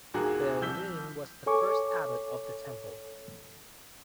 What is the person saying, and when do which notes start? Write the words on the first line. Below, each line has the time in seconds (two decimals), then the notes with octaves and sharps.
Beow Lean was the first Abbot of the temple.
0.14 D#2 A#2 F#4 G#4 A#5 F#6
0.61 C2 F3 E6 G6 B6 G7
1.46 A4 C#5 G#5 C#6 D6